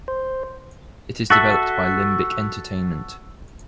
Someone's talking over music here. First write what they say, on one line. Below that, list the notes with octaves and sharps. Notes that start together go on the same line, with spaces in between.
It is developed by Limbic Entertainment.
C5
F#4 A4 E5